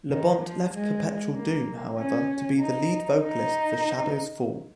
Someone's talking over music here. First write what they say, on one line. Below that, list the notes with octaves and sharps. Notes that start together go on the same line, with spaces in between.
Labonte left Perpetual Doom, however, to be the lead vocalist for Shadows Fall.
D#3
F3
G#3
A#3
C#4
D#4
D#4